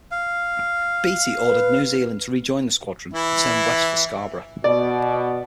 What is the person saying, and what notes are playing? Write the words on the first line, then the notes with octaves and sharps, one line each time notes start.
Beatty ordered "New Zealand" to rejoin the squadron and turned west for Scarborough.
F5
B4
E3 E4
B2 D5